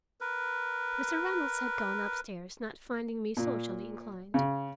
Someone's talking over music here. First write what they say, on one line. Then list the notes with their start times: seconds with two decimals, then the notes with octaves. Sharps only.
Mr. Reynolds had gone up-stairs, not finding me socially inclined.
0.21 A#4 B4
3.37 A#2
4.34 C#3